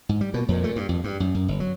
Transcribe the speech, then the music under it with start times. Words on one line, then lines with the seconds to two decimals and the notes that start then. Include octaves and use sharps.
and then
0.09 G#2
0.21 G3
0.34 B2
0.48 F2
0.64 A3
0.76 G2
0.89 F2
1.04 G2
1.20 F#2
1.35 F#2
1.48 G1
1.60 F#3